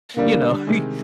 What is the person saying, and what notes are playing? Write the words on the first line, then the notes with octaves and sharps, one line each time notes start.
you know, he
D3 G3 A#3 D4
C3 D#3 G#3